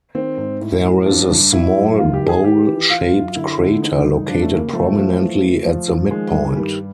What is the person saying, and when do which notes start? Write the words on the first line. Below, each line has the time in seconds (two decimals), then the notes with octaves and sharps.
There is a small bowl-shaped crater located prominently at the midpoint.
0.15 D#3 C4
0.37 G#2
0.61 A2
0.84 A2
1.06 F3 D4
1.29 G2
1.52 F#2 E4
1.76 F#2
1.98 D#3 F4
2.14 G4
2.21 D#3
2.29 G#4
2.44 E3 G4
2.67 E3
2.90 E3 F4
3.13 F#2
3.36 D3 E4
3.59 D3
3.82 E3 D#4
4.05 G2
4.28 F3 D4
4.42 A3
4.51 C#3
4.58 A#3
4.73 F3 A3
4.97 F3
5.19 E3
5.42 E3
5.65 F3
5.88 F3
6.11 D#3 G#3
6.34 G2
6.56 D#3 G3